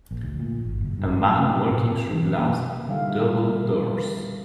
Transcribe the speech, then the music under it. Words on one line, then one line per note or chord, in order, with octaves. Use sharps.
A man walking through glass double doors.
A#1
D2
A#2
G#1
F#1
G2
A3
C4
A2
C4
E3
A#3
D3 D#3 G3 E5 F5